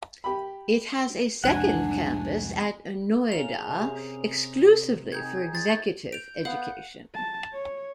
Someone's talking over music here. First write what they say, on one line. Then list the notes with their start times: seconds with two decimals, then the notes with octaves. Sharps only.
It has a second campus at Noida exclusively for executive education.
0.24 G4 B5
1.44 C2 F2 G#2 D4 F#5 G#5
3.32 C#3 A#4 F7
3.70 C3 G#4 C5 G#5
5.12 D#3 D#4 G#4 G6 G#6
5.55 C4 A6
6.12 G6 D7 F7
6.45 B3 F5 F#5
7.15 A5
7.53 C#5